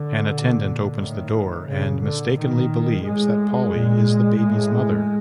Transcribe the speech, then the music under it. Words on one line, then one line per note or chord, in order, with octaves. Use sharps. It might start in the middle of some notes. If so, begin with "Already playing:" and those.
An attendant opens the door and mistakenly believes that Polly is the baby's mother.
Already playing: D3
A#2
A2 D#3
A#2 C#3
D3
A#2 D#3
A2 G#3
A#2
A2